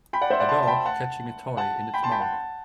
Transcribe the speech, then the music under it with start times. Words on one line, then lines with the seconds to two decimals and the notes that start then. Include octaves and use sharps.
A dog catching a toy in its mouth.
0.13 G5 B5
0.21 D5 F#5
0.30 C5 E5
0.39 D5 F#5
0.49 A5 C6
0.63 A5
0.68 G5 B5
0.86 F#5 A5
1.57 F#5 A5
1.94 G5 B5
2.03 A5 C6
2.12 G5 B5
2.21 F#5 A5